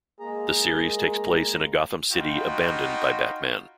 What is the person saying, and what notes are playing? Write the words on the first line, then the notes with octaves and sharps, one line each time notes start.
The series takes place in a Gotham City abandoned by Batman.
G#3 A#3 G#4 A#5
D#4 F4 F#4 G5 B5